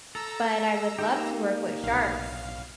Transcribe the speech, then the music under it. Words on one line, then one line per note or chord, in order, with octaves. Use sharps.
But I would love to work with sharks
A4 A#5 E6
A#3 D#4 G4
B1 F5